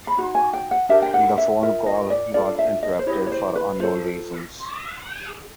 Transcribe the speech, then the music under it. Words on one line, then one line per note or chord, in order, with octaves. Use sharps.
The phone call got interrupted for unknown reasons.
B5
D#4 F#4
G#5
G5
F#5
D4 G4 A#4 E5
G5
F#5
E5
F4 A#4 E5
D#5
D5
D4 F4 A4 D5
E5
D#5
C5
E4 G4 B4 C#5
C#5
C5
B4
F4 A4 C5